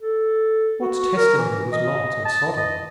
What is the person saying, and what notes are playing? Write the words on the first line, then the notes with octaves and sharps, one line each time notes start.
What testimony was Lot in Sodom?
A4
F#4
A#4
E3
D#5
A5
D#5